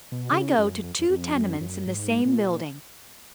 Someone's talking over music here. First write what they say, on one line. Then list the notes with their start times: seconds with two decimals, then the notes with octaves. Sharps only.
I go to two tenements in the same building.
0.12 B2
0.32 C#3
0.58 F#2
0.83 F2
0.99 F2
1.10 F2
1.35 F#2
1.61 F#2
1.86 G#2
2.25 A#2